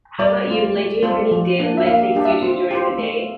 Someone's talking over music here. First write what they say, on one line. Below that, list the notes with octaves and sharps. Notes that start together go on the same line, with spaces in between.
How about you? Like, do you have any da like, things you do during the day?
G3 D5
C4 F4
A3
C4 F4 A4 C5
F3
A#3 D4
E5
A#3 F5
D4 G4
E5
C4
G4 C5
A3